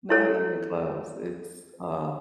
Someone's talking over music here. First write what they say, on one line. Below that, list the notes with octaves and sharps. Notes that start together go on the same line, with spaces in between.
not even close. It's, uh
E4 A4 C#5